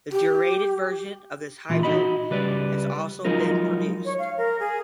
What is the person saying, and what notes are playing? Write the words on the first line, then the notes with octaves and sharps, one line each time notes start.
The deuterated version of this hydrate has also been produced.
G4
A#2 E3 F4
D#4 F#4 D#5 B5
C#2 G3 B4 D5
F3 F#3 G#3 D#4 F4 A#4
C#5
F5
A#4
G#4